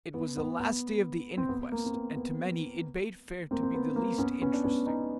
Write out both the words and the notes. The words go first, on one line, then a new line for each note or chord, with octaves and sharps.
It was the last day of the inquest, and to many it bade fair to be the least interesting.
B3
B3
B3
C4
B3
A#3
C4
B3
B3
A#3 C4
C4
B3
A#3
B3 C#4
B3 C#4
D4
B3 C#4
C#4 D#4